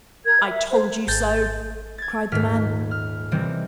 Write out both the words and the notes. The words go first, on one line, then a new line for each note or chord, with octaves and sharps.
"I told you so," cried the man.
A#4 G#6
E5
C5
G#1 G6 A6
G#6 A6
D#1 G#2 F6 B6
F6
C3 D#3 E3 G3 C4